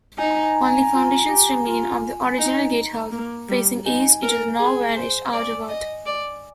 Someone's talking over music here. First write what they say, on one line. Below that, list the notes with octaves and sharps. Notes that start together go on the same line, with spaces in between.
Only foundations remain of the original gatehouse, facing east into the now-vanished outer ward.
D#4 G#5
A#5
G#5
A#5
G#5
A#5
F4 G#5
A#5
G#5
G4 A#5
G#5
A#5
F4 G#5
G#5
D#4 A#5
A#3
G3
D#4 G#5
A#4
G#4
C5
D5
D#5
D5